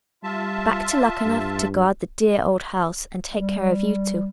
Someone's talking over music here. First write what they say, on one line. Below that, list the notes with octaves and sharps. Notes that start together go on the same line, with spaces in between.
"Back to Luckenough to guard the dear old house, and take care of you two."
G3 F4 E5 A5
G2
G3